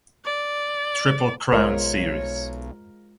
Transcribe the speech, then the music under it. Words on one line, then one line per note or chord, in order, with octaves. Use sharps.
Triple Crown series.
D5
B1 G#3 F4 A#4 C5 C#5